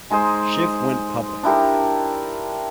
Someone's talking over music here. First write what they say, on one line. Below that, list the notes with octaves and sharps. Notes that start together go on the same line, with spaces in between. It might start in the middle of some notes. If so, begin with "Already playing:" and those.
Schiff went public.
G#3 D#4 G#4 C5
D4 E4 G4 A#4